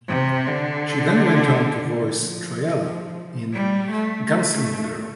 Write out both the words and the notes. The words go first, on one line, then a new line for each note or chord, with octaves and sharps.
She then went on to voice Triela in "Gunslinger Girl".
C3
D3
F3
G3
A3
A3